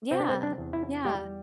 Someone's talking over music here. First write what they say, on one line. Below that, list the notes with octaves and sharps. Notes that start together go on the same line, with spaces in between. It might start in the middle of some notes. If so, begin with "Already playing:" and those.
Yeah, yeah.
C3 C4
D4
C4
D4
E2
E4
G3 G4